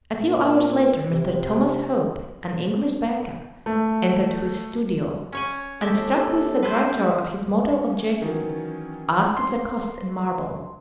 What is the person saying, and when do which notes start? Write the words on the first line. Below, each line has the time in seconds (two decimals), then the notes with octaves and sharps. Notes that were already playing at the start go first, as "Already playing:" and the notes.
A few hours later, Mr. Thomas Hope, an English banker, entered his studio, and, struck with the grandeur of his model of Jason, asked the cost in marble.
0.19 A#2
1.11 C3
3.66 A3
5.32 C#4 C#5 G#5
5.81 D#2 G4 A4 E5
6.63 B4 C5
7.62 C#4
8.22 D#3 E3 F#3
9.37 C6